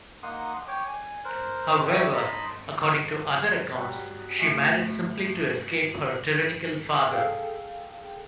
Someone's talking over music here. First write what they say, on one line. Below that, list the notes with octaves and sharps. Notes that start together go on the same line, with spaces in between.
However, according to other accounts, she married simply to escape her tyrannical father.
A#3 D#4 F#5 C6 D#6
C#5 G5 D6
G#5
A#4 C5 F#6
D5 E5 G5 A5 B5 C#6
D#4 D#5 A5 B5 C6
F#3 G3 B4
A2 G#3
G#4 A4 F5 G5